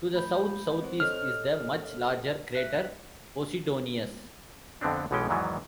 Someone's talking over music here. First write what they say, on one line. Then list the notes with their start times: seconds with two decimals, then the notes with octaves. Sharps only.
To the south-southeast is the much larger crater Posidonius.
0.14 A3 B5 G6
0.80 C4 C5
1.00 A4 C#5 D#5 F6
2.54 E5 F#6 B6
4.81 F2 D3 B3 C4 D4
5.11 B1 B2 E3 G#3 C#4 G5
5.28 E2 G#2 D#3 E3 F#3 B3